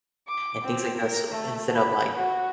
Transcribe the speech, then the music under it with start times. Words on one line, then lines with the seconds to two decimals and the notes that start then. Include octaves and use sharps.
and things like that, so instead of, like
0.28 D6
0.65 C4
0.97 A#4
1.31 A3
1.76 B5
2.16 F#4